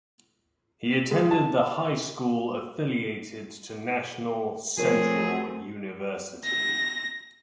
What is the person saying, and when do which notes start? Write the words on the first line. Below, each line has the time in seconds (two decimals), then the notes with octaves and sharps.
He attended the High School Affiliated to National Central University.
1.11 G#3
1.31 A5
4.77 F3 A3 C4 G#4 A#4 C#5
6.45 A#6